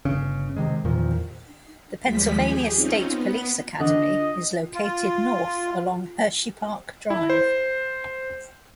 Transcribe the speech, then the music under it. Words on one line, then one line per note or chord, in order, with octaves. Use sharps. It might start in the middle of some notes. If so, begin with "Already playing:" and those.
The Pennsylvania State Police Academy is located north along Hersheypark Drive.
G1 C#3 C#4
C3 D#3 F#3 G#3
E2 A#2 D#3 F3
D#2 F3 G3 G#3 B6
G4 G#4
C4 C#4 D#4 F4
B3
D3 D#5
F4
E4
C5